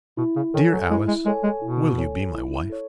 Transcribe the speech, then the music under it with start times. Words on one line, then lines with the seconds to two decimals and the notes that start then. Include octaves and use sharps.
Dear Alice, will you be my wife?
0.17 B2 E4
0.36 C#3
0.54 D#3 A4 C#5 G#5
0.72 F#3
0.90 G#3 E4
1.08 G#3
1.26 G#3 A4 C#5 G#5
1.44 G#3
1.62 B2 E4
1.98 A4 C#5 G#5
2.34 E4
2.70 A4 C#5